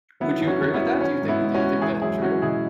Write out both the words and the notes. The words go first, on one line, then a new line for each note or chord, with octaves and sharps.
Would you agree with that? Do you think do you think that's true?
F#3 B3 E4
F#2
C#4 F#4
F#2
B3 E4
F#3
E3 C#4
G#2
B3 E4
G#2 E4
C#4 F#4
E3
E2 E4 G#4
F#3 E4 G#4
E2 C#4 F#4
B2 E4 G#4